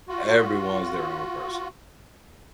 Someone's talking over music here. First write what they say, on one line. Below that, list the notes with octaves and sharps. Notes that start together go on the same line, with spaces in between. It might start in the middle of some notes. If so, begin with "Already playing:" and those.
Everyone's their own person.
F4 F#4